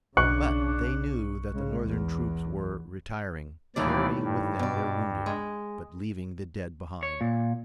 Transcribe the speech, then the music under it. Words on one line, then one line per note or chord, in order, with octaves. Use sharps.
But they knew that the Northern troops were retiring, carrying with them their wounded, but leaving the dead behind.
B1 C#3 D4 C#6 F#6 C#7
C#3 G#3
E2
D#2 A2 D#3 E3 G3 D5
G2
B2 D5
G#3
C#5
A#2